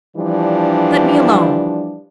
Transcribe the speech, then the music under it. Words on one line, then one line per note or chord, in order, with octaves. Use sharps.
Let me alone.
E3 F3 G3 D4